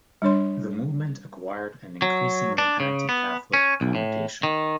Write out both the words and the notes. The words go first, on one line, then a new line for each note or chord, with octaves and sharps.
The movement acquired an increasingly anti-Catholic connotation.
G3 D4 C#5 C6
F#3
D4
C#3
B3
C#4
B1
A2
D#3